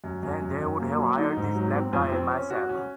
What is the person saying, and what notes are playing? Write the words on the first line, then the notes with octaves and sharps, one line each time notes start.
Then they would have hired this black guy and myself.
F#2
F#2
F#2
F#2
A#3
F#3
D#4
G#2
F#3
C4
F2
C4
C#4
F#4
C#4